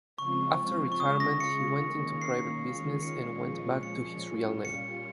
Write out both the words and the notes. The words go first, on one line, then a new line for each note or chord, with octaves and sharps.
After retirement, he went into private business and went back to his real name.
C#3 F3 G#3 C4 F4 C#6
C#6
C#3 G#3 C#4 F4 D#6
A#6
C#7
D#3 A#3 C#4
C7
D#3 G#3 C#4 F4
C#7
A#2 F3 G#3 C#4 F4
C#7
A#2 G3 C#4 F4
C#7